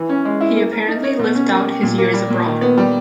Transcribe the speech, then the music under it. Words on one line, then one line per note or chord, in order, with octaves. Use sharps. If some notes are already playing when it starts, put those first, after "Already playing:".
He apparently lived out his years abroad.
Already playing: E3
C#4
G#3
E4
A#3
A#4
D#4
C#5
B2
C#4
A#3
G4
A#2
A#3
G3
A#2
D#3
B3
G3